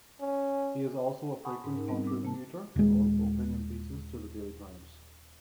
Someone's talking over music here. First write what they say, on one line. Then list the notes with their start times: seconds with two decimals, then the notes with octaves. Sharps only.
He is also a frequent contributor of opinion pieces to the Daily Times.
0.21 C#4
1.45 F#5 G#5 A5 B5 C#6 D#6
1.64 G#2 C#4
1.76 D#4 A#4
1.88 G3 B3 C4
2.07 D6
2.23 C3 A#3 A5
2.76 D#1 G#3